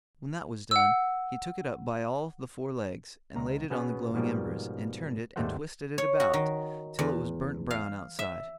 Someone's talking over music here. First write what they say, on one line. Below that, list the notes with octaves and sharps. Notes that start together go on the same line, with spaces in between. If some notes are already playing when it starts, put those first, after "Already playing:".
When that was done, he took it up by all the four legs, and laid it on the glowing embers, and turned it and twisted it about till it was burnt brown outside.
F#5 E6
C#2 A#5
B2 B3 C#4 G#4
G#2 B2 F3 G3 A#3
G#1 D#2 G3 A3 C5 F#5
C#5
F#4
D#3
E2
F5
E5